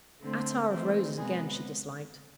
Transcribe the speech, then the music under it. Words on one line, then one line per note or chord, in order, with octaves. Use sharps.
Attar of roses, again, she disliked.
D3 A3 C4
E3 A3 C4
C3 G#3 B3 G#4